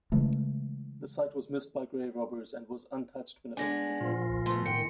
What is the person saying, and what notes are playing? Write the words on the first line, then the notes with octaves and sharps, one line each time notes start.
The site was missed by grave robbers and was untouched when opened.
C#3 E3 G#3 A3
G#3 B3 D4 G#5 A#6
A#2 F3 F4
A3 B3 C6
A2 D#3 G5 C#7